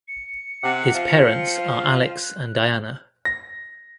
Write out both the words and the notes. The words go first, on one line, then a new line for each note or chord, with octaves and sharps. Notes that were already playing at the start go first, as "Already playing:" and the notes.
His parents are Alex and Diana.
C#7
C3 F#5
F3 C4 F4
F5
F#6
A#6